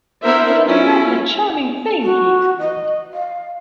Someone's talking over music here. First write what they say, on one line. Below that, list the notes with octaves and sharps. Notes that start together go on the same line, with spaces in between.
'What a lovely, charming thing!’ he exclaimed.
B3 D4 E4 A#4 C5 E5
F#3 C#4 E4 F4
F#4
D#5
F5